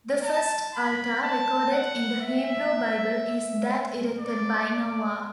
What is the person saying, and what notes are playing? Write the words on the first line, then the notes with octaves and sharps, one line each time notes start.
The first altar recorded in the Hebrew Bible is that erected by Noah.
A5
B5
A5
F#5
E5
D5
D5